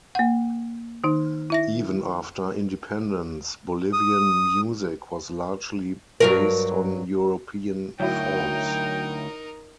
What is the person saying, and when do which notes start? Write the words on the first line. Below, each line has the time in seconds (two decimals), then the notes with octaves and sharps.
Even after independence, Bolivian music was largely based on European forms.
0.15 A#3 F#5
1.04 D#3 D#4
1.50 E4 E5 A#6
3.93 D#6
6.20 G2 F#3 A#4
8.00 D2 F#3 D#4 E4 A#4 G5